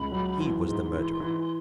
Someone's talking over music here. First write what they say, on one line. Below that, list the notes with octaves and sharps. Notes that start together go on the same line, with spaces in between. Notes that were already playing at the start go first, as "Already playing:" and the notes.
HE was the murderer!
Already playing: C#2 B5
F#3
E3 C6
G#2
E3
E3